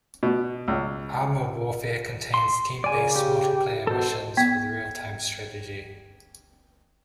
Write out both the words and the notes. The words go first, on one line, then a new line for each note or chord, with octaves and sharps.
"ArmA Warfare" contains team-based multiplayer missions with realtime strategy.
B2
C#2
C6
C#3 D5 G#5
G4
B2 A4 C5
B3 G5 G#6 B6